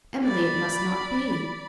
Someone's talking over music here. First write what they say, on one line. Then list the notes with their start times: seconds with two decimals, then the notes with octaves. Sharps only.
"Emily, it must not be."
0.23 D5 B5